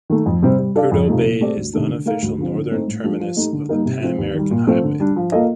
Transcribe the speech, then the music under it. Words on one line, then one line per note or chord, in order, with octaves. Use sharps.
Prudhoe Bay is the unofficial northern terminus of the Pan-American Highway.
D#3 A3
F2
C3 G3 C4
G3
D4 A4 D5 F5
F2
C3 F3 A3 D#4
A#2
A3 C4 G4 D5
D2
C3 D#3 A3 D4
D3
A3 D#4 A#4 F5
D2
D3 F3 C4
D3
A3 C4 D#4
A2
F3 A3 D4 G4
F3
A3 D#4 G4
D3
G3 A#3 D#4 A#4
C3
F3 C4
D#2
D#3 G3
A#2
F3 A3 C4
D3
G3 D4
F3
A#3 F4 A4 D#5